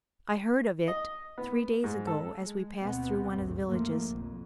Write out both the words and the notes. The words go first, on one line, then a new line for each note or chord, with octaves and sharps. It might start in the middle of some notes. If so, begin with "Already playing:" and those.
I heard of it three days ago, as we passed through one of the villages.
D#5
B3
G#2
A4
G#3
D2 B2 B3 C4
G#1 D2 G2
D#2 G#2 D3 F3 A3 A#3
B1 F2